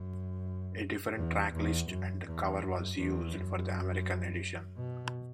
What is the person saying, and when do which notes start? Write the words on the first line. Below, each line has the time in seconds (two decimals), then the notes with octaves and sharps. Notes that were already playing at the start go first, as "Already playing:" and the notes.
A different track list and cover was used for the American edition.
Already playing: F#2
1.17 E2
1.53 E2
1.88 F#2
2.25 E2
2.61 F#2
2.97 E2
3.32 F#2
4.76 B2